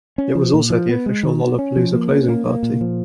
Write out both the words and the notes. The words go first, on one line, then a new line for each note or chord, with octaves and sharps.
It was also the official Lollpalooza closing party.
C#4
F3
A#2
F3
B3
G#3
D#3
B3
C#4
F3
A#3
C#4
A#3
A#3
A#2
F3